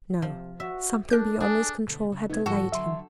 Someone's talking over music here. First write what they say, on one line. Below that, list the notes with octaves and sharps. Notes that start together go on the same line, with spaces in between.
No; something beyond his control had delayed him.
C3 F3
F#4 E5
D4 A4 A#4 F#6 G6
D4 G#4
B2 D3 A3
C#3
C3 A3 B3 D#4 G#6
G#2 D3 F3 F#4 G4 A4
D3 F#3 E5 C6